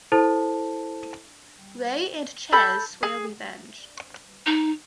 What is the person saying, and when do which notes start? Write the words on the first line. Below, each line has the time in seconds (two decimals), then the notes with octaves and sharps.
Ray and Chez swear revenge.
0.12 E4 A4 C5 A5
2.52 A4 B5 G6
3.03 G#4
4.46 D#4